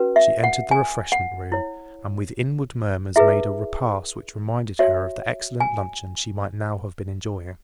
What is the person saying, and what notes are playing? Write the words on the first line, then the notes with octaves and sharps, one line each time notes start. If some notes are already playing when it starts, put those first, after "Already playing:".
She entered the refreshment room, and with inward murmurs made a repast which reminded her of the excellent luncheon she might now have been enjoying.
Already playing: C#4 F#4 B4
E5
F#5
G#5
F#5
E4 C#5
E4 G#4 B4 E5
F#4 C#5 E5
G#5